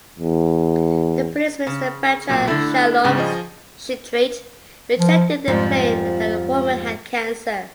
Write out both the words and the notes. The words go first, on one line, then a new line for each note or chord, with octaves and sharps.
The police minister Bechor-Shalom Sheetrit rejected the claim that the woman had cancer.
E2
C#3
B1 A#2 F#3
D3 A3 E4
G#2 C#3 G3
F3 G#4 D#5
F3
F2 G#2 F3 G3